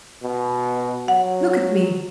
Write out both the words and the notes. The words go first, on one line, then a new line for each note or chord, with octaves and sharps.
Look at me.
B2
F#3 F#5